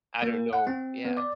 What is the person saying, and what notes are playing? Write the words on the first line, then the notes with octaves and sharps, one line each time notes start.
I don't know yeah.
A#3
F#5
C4
B3
D5